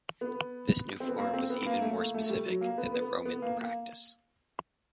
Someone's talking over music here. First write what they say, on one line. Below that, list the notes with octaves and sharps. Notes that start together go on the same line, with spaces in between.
This new form was even more specific than the Roman practice.
B3
C4
B3
A#3
C4
B3
A#3
A3
A#3
A3
G3
F#3
A#3
B3
B3
B3
A#3
A#3